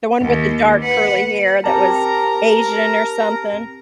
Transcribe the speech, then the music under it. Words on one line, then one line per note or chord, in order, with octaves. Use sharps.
The one with the dark curly hair that was Asian or something.
D#2
B4 F#5
C4 G4 A#4 A5 A#5